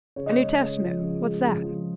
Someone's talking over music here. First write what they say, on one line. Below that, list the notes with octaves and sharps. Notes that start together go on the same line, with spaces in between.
"A New Testament; what's that?"
C#3 C#5
D#5
G#3 C#5
C#3
F3
C#3
G#3
C#3
F3